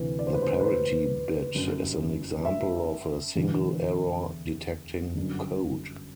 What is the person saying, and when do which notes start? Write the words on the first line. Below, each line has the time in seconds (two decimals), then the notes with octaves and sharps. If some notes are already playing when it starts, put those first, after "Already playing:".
The parity bit is an example of a single-error-detecting code.
Already playing: D2 C3 E3 B4
0.19 D5
0.27 C5
0.34 B4
0.42 C5
0.60 B4
0.64 C5
1.55 G1 F#2 F#3
2.45 E5
3.35 E1 E2 D3
5.17 G1 F#2 F#3